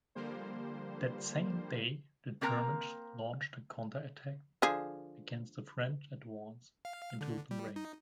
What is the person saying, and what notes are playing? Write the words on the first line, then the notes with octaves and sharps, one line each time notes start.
That same day the Germans launched a counter-attack against the French advance into Lorraine.
D3 F3 G3 A#3 C5
A#3 C4 A#4 A#5
D3 F3 G#4
F5
D3
G3
D#4